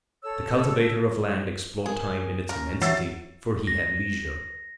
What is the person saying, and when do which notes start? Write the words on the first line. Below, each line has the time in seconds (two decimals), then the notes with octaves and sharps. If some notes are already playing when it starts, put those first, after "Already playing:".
The cultivator of land explored time in its immensity, for he had leisure.
0.23 A4 C#5 E6
1.86 G#4 A#4
2.49 C#4 A#4
2.82 E3 F#3 E5 E6 A6 C7
3.67 A#6